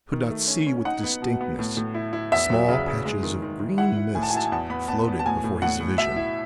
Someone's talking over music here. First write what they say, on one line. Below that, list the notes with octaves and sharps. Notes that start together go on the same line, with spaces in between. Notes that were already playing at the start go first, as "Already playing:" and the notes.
He could not see with distinctness. Small patches of green mist floated before his vision.
D#3
A3
C#4
C#4
D#4 F#5
B3
B2
B3
A2
A2
E4
E4
E2 E5
F#3
C#3
C#3
G#3
D#3
D#3
D#3
E4 F#5
E4
A2 G#5
A5
G#5
E4 A5
G#5
E2 A5
B3 B5
B3 A5
B3
A5
A2 G#5
A2
A2 F#5
A2
B2 E5
E4